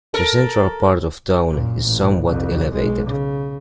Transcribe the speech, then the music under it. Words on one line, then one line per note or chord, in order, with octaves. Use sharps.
The central part of town is somewhat elevated.
A4 A#4
F#2 A#2
A1
C2 F2
B1 G#3
C#3